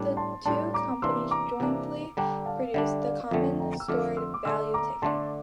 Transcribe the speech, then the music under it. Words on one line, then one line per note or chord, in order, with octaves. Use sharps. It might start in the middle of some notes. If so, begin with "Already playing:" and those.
The two companies jointly produced the common stored value ticket.
Already playing: A2 G3 D4
A5 C6
A2 G3 D4 A5 C6
A#5 D6
C3 E3 A#3 D4 C6 E6
A#5 D6
C3 E3 A#3 D4
D3 G3 D4 G5 A#5
F5 A5
D3 G3 D4 E5 G5
D5 F5
F2 D3 A3 E5 G5
G5 A#5
E6
F2 D3 A3 D6 F6
C6 E6
D6
D3 A3 D4 C6 E6
A#5 D6
D3 A3 D4 A5 C6